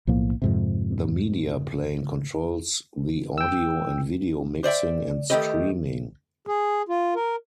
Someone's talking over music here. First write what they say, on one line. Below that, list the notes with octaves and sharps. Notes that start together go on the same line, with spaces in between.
The Media Plane controls the audio and video mixing and streaming.
B1 A2 F3 A#3
F2 G#2 C3
G5 E6
C5 D5 E5 G5
D#3 A3 G4 B4 D#5
G#4
F4
A#4